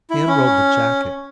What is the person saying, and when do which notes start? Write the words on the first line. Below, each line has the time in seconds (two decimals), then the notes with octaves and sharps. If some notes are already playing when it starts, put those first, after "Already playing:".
He unrolled the jacket.
0.10 E4
0.27 C#4